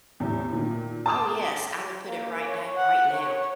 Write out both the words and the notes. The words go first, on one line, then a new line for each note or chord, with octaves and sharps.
Oh yes, I would put it right back, right now.
E2 A2 C3
A#2 D#3
A5 C6 D6 D#6 E7
A#3
C#5
F#5
C#5